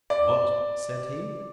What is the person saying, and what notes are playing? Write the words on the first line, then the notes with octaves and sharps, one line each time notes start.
"What?" said he.
D5